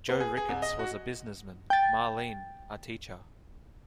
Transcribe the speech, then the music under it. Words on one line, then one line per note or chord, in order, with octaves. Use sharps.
Joe Ricketts was a businessman; Marlene, a teacher.
B3
G#4
G#4
C2
D#5
F#4
G5 A6